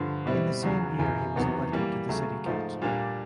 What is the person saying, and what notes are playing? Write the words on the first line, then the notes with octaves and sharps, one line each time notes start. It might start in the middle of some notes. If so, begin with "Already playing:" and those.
In the same year he was elected to the city council.
Already playing: G2 D3 F3
B2 G3 C4 E4
E2 C#3 F#3
F#2 C#3 E3
E2 C3 D#3 F#3 B3
E3 G3 A#3
C#3 F#3 A3
G#2 F3 A3
A#2 G3 A#3 D4